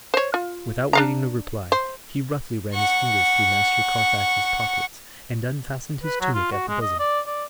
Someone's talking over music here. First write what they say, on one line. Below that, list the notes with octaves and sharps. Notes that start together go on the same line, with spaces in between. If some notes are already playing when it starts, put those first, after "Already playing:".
Without waiting a reply, he roughly ran his fingers through Master Carfax's pockets, and unfastened his tunic at the bosom.
C5 C#5
F4
D4 F5 A#5
C5
F#5 C#6
B4
F#3
F4
F#4
G#3
D#5
D5
D5